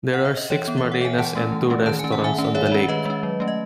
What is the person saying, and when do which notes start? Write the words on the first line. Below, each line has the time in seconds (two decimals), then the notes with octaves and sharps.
There are six marinas and two restaurants on the lake.
0.13 F#5
0.25 E5
0.37 D#5
0.50 E3 C#5
0.68 B3
0.78 E5
0.85 E3
0.92 F#5
1.01 B3 G#5
1.18 E3 F#5 A5
1.35 A3 C#4
1.52 E3
1.70 A3 C#4
1.86 D#3 A5
1.99 A3 C#4 G#5
2.12 F#5
2.21 D#3 E5 G#5
2.38 A3 C#4
2.44 F#5
2.55 D#3 C#5 E5
2.66 C#5 E5
2.72 G#3 C#4
2.88 D#3 B4 D#5
3.05 G#3 C#4
3.23 F#3
3.40 A3 C#4
3.48 D#5